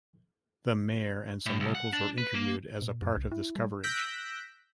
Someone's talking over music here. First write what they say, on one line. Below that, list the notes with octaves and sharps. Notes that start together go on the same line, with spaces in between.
The mayor and some locals were interviewed as a part of this coverage.
A2
C2
F#5
D4
B4
A#3
A#2
F#2
C2
E4
G3
E6 F#6 G6 A#6 B6 D7